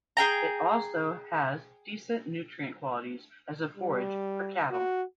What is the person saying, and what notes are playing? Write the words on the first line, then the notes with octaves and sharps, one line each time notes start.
It also has decent nutrient qualities as a forage for cattle.
G#4 G5 A#5
G3
F#4